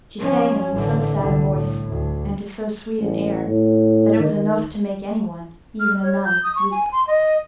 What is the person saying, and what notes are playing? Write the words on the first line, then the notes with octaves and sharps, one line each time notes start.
She sang it in so sad a voice, and to so sweet an air, that it was enough to make any one, even a nun, weep.
F3 C#4
A1 D3
C2 D3
A2
D2
A1
A2
D#3
F6
C#5
G6
D#6
C#6
G#5
C6
D#5